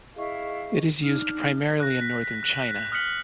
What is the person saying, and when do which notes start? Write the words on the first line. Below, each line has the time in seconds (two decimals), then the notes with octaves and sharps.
It is used primarily in northern China.
0.16 E4 G#4 D#5 F5 C#6
1.03 D4 D#4 F6
1.80 F#6 A#6
2.01 B6
2.24 B6
2.43 F#6
2.69 F#6
2.92 D#6 F6 F#6 B6 C#7 F#7